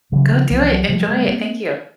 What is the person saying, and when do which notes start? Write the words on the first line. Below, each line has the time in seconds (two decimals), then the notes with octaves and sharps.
Go do it, enjoy it, thank you.
0.12 C#3 E3 F#3
0.31 D#3 F3
0.51 C2 D#3 F3
0.61 F3
0.70 E3 F#3
0.89 C3 F3 G3
1.08 G3 A3
1.28 A#3 C4